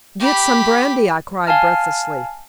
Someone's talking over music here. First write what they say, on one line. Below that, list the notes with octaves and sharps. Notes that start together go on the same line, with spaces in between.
"Get some brandy!" I cried, breathlessly.
G4 B5
F5 G#5 A5 F6